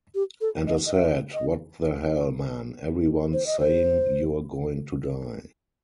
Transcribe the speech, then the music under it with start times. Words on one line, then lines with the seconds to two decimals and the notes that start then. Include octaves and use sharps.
And I said, what the hell, man, everyone's saying you're going to die.
0.15 G4
0.41 A4
0.67 D#5
0.86 D#5
0.94 E5
1.34 D#5
3.33 C5
3.46 D#5
3.59 C5